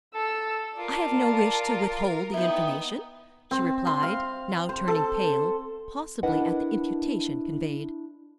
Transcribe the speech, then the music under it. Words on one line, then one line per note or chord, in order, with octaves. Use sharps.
"I have no wish to withhold the information," she replied, now turning pale, possibly at the imputation conveyed.
A4 E6
F4 A#4 D5 A5
B3 D#4 E4 G5 D#6
C4
C6
F5
C5
A4
D4 E4 A#4 B4 D#5 F#5